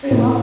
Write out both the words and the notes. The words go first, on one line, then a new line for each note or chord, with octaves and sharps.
Pretty well.
A2